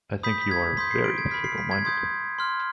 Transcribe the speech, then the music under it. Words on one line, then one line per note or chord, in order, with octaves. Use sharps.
I think you are very fickle minded.
B5 D#6 G6 B6
B6
G#6
C6 D#6 G6 B6
C7
D7
G#6
B5 F6 B6
C7
B6
G#6
C6 D#6 G6 G#6
C6 F6